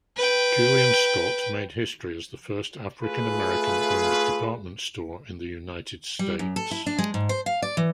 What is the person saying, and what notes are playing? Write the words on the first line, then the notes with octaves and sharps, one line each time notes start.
Julian Scott made history as the first African-American-owned department store in the United States.
B4 G5
A3 F4 G#4 B4
G3
F#2
A4
E4
D4
G#3
G#2
C5
F5
D5
E3